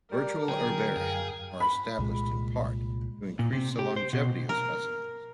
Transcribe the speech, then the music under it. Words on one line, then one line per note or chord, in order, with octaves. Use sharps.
Virtual herbaria are established in part to increase the longevity of specimens.
G3 A#4 D5
D3 F#3 G#4 G5
F#2 G#4 F5
B5
C2 A#2 G#3
A#2
C3
G4
C5
B2
A#4